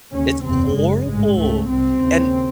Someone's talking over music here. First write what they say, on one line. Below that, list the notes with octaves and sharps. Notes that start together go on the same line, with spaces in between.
It's horrible. And
D#2 C#3 C#4
F#1 E2 C3 C4
F#1 F#2 C#3 G#3
A1 G#2 G#3
C#2 C#3 A3
C2 C3 C4
D#2 C#3